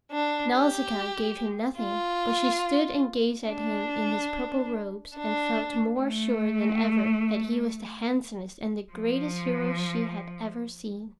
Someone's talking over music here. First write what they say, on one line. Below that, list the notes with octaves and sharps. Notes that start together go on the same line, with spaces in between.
Nausicaa gave him nothing, but she stood and gazed at him in his purple robes and felt more sure than ever that he was the handsomest and the greatest hero she had ever seen.
D4
G4
F4
D4
D4
A3
F3